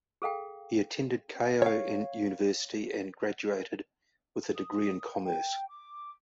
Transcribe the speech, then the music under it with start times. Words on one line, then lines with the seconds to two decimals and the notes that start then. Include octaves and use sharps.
He attended Keio University and graduated with a degree in Commerce.
0.22 G#4 A4 F5 G5
1.62 C#5 F5
4.55 D#6
5.25 G5
5.68 D6